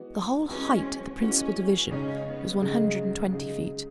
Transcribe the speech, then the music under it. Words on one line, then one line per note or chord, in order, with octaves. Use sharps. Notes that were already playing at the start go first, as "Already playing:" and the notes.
The whole height of the principal division was one hundred and twenty feet.
Already playing: E3 G#3 B3 F#4
E3 G#3 B3 C#4 F#4
E3 G#3 B3 C#4 F#4
C#3 G#3 C#4 D#4 G#4
B3
C#3 F#3 G#3 D#4 G#4
C#3 G#3 D#4 G#4